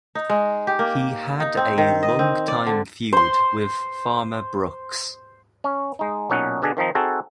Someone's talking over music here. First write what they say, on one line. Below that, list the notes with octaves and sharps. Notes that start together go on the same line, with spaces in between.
He had a longtime feud with Farmer Brooks.
D#4
G#3
G4
A#3
D#4
C4
D#3
D#5
C4
D5
D3
C5 C6
C#4
G#3 D#4
B1 A#2 C#4 D#4 F#5
B2 D3 D4 G#4
D#3 F3 C4 D#4
C4 D#4 F#4 G#4 A4